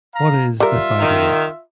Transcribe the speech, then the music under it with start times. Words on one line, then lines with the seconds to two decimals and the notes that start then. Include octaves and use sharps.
What is the "FidoNet"?
0.14 F5 A#5
0.60 G3 F4 A#4 E5
1.00 D#3